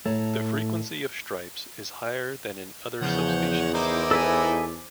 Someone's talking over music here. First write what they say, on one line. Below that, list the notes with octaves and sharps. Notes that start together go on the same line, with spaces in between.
The frequency of stripes is higher than in other subspecies.
A2 A3 C#5 A5 A#5
E2 C#3 F3 C#5 F#5 G6
D#4 E4 A#4 C5 D6
A4 B4 G#5